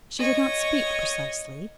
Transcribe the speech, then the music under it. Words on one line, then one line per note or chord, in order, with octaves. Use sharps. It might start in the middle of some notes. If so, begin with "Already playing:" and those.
She did not speak, precisely.
C#5 D#5